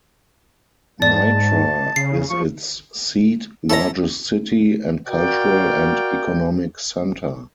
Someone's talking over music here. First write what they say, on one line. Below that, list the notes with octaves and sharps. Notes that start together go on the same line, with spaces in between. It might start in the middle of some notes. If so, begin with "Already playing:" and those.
Nitra is its seat, largest city, and cultural and economic center.
G#2 D5 A5
C#3 C7
F3 C#6
C#4 E4 A4 A#5
F#4 A#4 D5 F5 G5